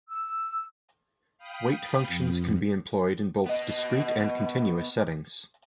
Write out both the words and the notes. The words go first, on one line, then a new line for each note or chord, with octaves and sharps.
Weight functions can be employed in both discrete and continuous settings.
E6
F5 G5 B5 D#6
F2
B3 D#5